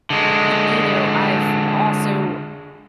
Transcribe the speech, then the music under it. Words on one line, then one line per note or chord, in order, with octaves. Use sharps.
eh you know, I've also
D3 G#3